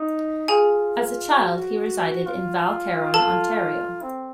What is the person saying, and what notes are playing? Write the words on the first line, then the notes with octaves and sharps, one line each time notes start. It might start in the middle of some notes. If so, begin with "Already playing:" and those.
As a child, he resided in Val Caron, Ontario.
Already playing: D#4
F4 G#4 G#5
F#4
F4
A4 A5
C4